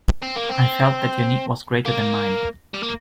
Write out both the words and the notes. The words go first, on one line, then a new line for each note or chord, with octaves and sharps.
I felt that your need was greater than mine.
C4
A#3
C4
A#3
G3
A#3